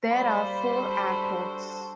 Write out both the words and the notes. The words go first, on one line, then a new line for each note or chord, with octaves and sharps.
There are four airports.
G3 A#3 C5 D5 B5
D4 F#4 A4